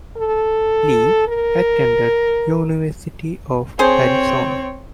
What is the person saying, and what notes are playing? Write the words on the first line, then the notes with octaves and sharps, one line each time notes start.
Lee attended University of Arizona.
A4
A#4
C4 G#4 C5 C#5